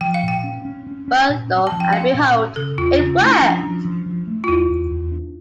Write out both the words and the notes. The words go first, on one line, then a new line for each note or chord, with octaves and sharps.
But, lo and behold, it worked!
F3 G5
F5
A#2
G5
C#4
C#4
C#4
C#4
A#2
C#4
A5
F3
G5
C#4 F5
A#2
C#4
C#3 A4
E2 F4
C#3 C#4
A3 E4
D4
F3 C#4
D4
F3
F3
F3
A3
F4
E2 E4
E2
E2
D4